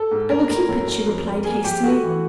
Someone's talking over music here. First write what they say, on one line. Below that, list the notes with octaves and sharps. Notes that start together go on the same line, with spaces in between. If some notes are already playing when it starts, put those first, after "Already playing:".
"I will keep it," she replied, hastily.
Already playing: A4
G#2
A2 A#4
A2 A#4
F#2
F#2
F2
G3
A#3 G#4
F3 G4
A3 F#4
E3